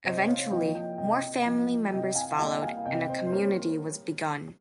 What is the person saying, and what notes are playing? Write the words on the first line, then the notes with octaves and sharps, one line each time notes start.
Eventually, more family members followed and a community was begun.
C3 C5 D#5
C#5 F5
F3 A#3 D#5 G5
D#5 G5
C3 D#5 G5
F3 A#3
C3 D#5 G5
F5 G#5
G3 A#3 D#5 G5
F5 G#5
C3 D#5 G5
C5 D#5
C5
G3 A#3 A#4 C#5